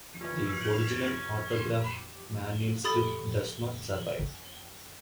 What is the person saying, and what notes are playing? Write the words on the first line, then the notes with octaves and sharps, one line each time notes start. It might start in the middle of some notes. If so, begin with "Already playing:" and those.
The original autograph manuscript does not survive.
A#2 E3 C#4 G4
G4 A4 B5 D#6 A6